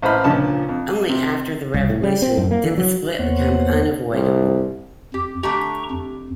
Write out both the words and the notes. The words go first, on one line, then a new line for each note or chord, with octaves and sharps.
Only after the revolution did the split become unavoidable.
A1 C5 A#5 B5 F6
C#2 A#2 D3 F3 C#4 A5
F2
C3
C2
A2
G3
C4
F#2
A#3
E3
F#3
E2 A#3 B3 C5 C#5 F#5
C2
F2 G4
D3 A3 G4 A#5 C#6
F2